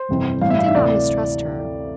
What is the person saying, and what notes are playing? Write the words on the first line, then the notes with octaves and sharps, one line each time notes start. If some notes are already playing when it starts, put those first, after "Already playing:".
He did not mistrust her.
Already playing: C5
G1 F2 C3 E3
A1 G2 E3 F5
E5
F5
E5
D2 C3 E3 D5